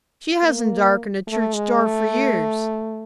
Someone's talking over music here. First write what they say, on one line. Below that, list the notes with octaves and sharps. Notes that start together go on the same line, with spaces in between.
She hasn't darkened a church door for years.
A#3
A3
G#3
A3